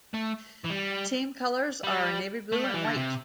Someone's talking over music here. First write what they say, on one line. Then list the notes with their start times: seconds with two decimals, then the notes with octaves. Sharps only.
Team colours are Navy Blue and White.
0.14 A3
0.65 E3
0.71 G3
1.83 G3
2.52 A3
2.64 G3
2.74 E3
2.85 D3
2.96 C3